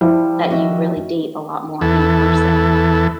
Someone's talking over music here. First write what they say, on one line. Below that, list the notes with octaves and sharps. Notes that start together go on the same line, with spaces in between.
that you really date a lot more in person?
F3 G3 E4
F#4 D#5 E5
E2 E3 A4